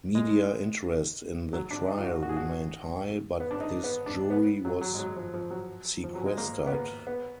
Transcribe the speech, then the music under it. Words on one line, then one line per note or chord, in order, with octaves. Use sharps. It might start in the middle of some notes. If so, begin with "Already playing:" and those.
Media interest in the trial remained high, but this jury was sequestered.
G#3
F#3
D4
D#4
F4
F#4
F#4
G#4
F#4
B3
D4
D#4
B3
D4
B3
F#3
F#3
G#3
F#3
F3
F3
F#3
F3
F#3
G#3
A#3
B3
A#3
B3